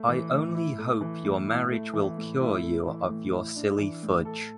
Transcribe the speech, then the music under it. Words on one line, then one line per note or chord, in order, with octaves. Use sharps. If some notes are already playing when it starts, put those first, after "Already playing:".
I only hope your marriage will cure you of your silly fudge.
Already playing: A3
E3
A2
E4
A3
E3
A2
E4
A3
E3
A2
E4
A3
E3
A2
E4
D4
E3
A2
A4